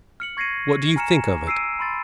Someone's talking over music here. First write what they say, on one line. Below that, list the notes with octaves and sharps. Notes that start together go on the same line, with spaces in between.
What do you think of it?'
F6 C#7 F#7
C#6 G#6 A#6 C7 C#7 D#7
G#5 A#5 F6 C#7 E7
E6 C7 D7 D#7
B5 C6 A6